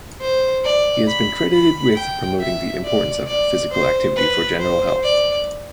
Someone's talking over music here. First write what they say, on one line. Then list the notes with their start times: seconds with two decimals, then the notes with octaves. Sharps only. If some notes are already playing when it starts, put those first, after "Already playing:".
He has been credited with promoting the importance of Physical Activity for general health.
0.21 C5
0.65 D5
1.08 B5
1.52 B5
1.96 G5
2.41 E5
2.84 D5
3.27 D5
3.72 C5
4.16 B4
4.59 C5
5.04 D5